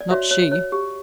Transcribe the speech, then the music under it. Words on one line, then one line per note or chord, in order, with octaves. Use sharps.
Not she.
D5
F#4 C#5 E5
C#5
C#5
G4